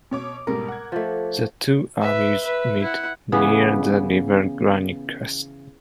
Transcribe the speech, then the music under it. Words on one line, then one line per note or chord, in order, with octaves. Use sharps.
The two armies met near the river Granicus.
B2 C#5 D6
G#2 B2 G3 A#4
F#5 G#6
F3 A3
B4 E5
B4 E5
E4 F#5
C#3 E3 B3